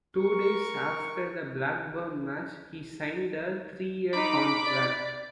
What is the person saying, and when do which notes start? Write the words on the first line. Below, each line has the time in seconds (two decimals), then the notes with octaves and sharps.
Two days after the Blackburn match, he signed a three-year contract.
0.18 A#4 C#6
4.13 D#4 B5 D6
4.65 D5